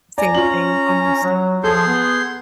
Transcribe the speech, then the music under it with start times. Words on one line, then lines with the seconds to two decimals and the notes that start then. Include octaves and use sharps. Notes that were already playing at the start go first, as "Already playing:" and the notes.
same thing almost
0.18 D5 G#5 A#5
0.35 C#4 F4 F#7
1.23 F#3
1.64 F3 G#4 A4 C6 G6
1.87 B3